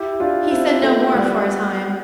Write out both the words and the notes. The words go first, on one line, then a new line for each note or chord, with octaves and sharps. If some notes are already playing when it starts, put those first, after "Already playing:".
He said no more for a time.
Already playing: E4 G4
D4 F4
C4 E4
A3 C4
G3 B3